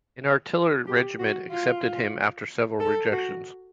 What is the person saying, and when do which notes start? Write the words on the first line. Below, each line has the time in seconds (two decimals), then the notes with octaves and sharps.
An artillery regiment accepted him after several rejections.
0.87 G4
1.19 F#4
1.51 F4
2.80 A4
3.12 F#4